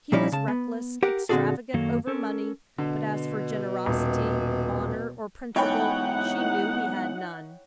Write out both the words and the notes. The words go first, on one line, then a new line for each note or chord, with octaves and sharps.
He was reckless, extravagant over money, but as for generosity, honor, or principle, she knew he had none.
A#2 F3 G3 C#4 D#4 E4
C#3 A5
B3
G4 A#4 F#5
A#2 D3 C4 F#4 G#4 A4
F#2 D#3 F#3 A#3 A4
C#4 A4 A#4
B2 D3
D#1
E2 G#2 D#4 E4 C#5 F#5 G5 B5